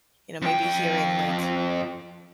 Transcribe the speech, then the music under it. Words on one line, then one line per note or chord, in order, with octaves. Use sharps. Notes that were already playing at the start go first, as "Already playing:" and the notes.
you know, maybe hearing like
F2 G5